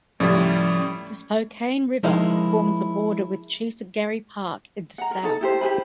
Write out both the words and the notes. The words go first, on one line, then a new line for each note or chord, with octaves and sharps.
The Spokane River forms the border with Chief Garry Park in the south.
A2 F3 G3 C#4 D5
F3 G#3 A#3 D#4 E4
F#5 A#5
A#4
D#4 A4
E4 G4 C5
G4 C5 G#5 B5